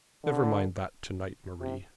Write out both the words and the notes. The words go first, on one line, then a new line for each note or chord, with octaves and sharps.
'Never mind that to-night, Marie.'
D3
C3